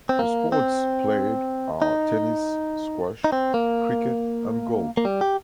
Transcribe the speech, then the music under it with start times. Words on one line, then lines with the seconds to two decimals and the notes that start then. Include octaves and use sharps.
The sports played are tennis, squash, cricket and golf.
0.09 C4
0.19 A#3
0.52 C4
1.82 D#4
3.24 D#4
3.32 C4
3.54 A#3
4.97 A#3
5.05 G3
5.21 G4